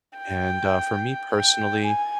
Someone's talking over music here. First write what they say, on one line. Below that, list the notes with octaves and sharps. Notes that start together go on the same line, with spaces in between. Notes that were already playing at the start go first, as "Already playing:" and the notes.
and, uh, for me personally,
G5
G5
G#5